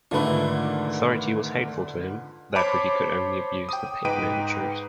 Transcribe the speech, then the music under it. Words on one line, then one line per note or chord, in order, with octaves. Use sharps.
Authority was hateful to him, therefore he could only abuse the pit-managers.
G#2 D3 D#3 A3 D4 F4 B4
C5 C#5 A5 B5 D6
G5 D#6
G#2 D#4 B4 G5 D7 D#7